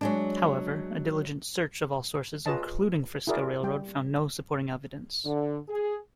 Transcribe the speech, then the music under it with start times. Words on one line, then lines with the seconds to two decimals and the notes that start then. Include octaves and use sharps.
However a diligent search of all sources including Frisco Railroad, found no supporting evidence.
0.01 F#3 G#3 D4
2.46 F4 G#4 B4 C#5 D#5 A5
3.27 E4 F#4 G#4 A#4 D5
3.63 G3 G5
5.25 D3
5.69 G#4